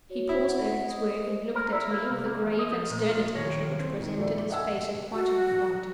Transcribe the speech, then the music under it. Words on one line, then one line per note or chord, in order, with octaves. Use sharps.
He paused over his work, and looked at me with a grave and stern attention which presented his face in quite a new light.
F#4 C#5
E4
F#5
D#5 D#6
A#4 C5
A#4
E4
A#3
C2
A#3
E2
D#5
F3
A#2
F4
D#2 C#5 A#6
C4
D#3
A#1 A4 D5
D#5 E5 F#5 G#5 A5 E6
F#4